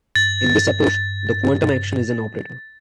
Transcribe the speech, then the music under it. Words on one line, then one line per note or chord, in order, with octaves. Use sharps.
In this approach, the quantum action is an operator.
G2 A6